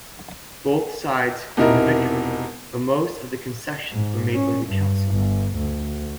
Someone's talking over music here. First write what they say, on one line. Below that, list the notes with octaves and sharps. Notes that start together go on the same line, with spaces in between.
Both sides claimed victory, but most of the concessions were made by the Council.
E1 C3 D#4 E4 A#4 A#5
G#2
C#4
G2
G1
D2